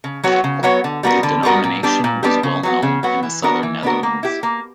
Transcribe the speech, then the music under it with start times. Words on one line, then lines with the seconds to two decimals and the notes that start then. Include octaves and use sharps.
The denomination was well known in the Southern Netherlands.
0.04 C#3
0.23 F#3 B3 F#4 C#5
0.44 C#3
0.63 F#3 B3 F#4 C#5
0.84 D3
1.03 G3 B3 F#4 A#4
1.23 D3
1.43 G3 B3 F#4 A#4
1.64 A#2
1.83 G3 B3 D4 G4
2.04 A#2
2.23 G3 B3 D4 G4
2.43 C#3
2.63 F#3 B3 F#4
2.83 C#3
3.03 F#3 B3 F#4
3.23 E3
3.43 B3 D4 F#4 A#4
3.63 E3
3.83 B3 D4 F#4 A#4
4.03 A#3
4.23 E4 G4
4.43 A#3